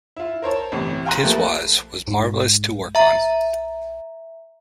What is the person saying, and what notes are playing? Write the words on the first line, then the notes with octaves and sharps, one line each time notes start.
"Tiswas" was marvellous to work on.
E4 F4
A#4 C5 C#5 A5
G1 A2 C3 E3
F5 G5 G#5 A#5 C6 F#6
F3 A3 A#3 G4 A4 B4
G#2
E5 A#5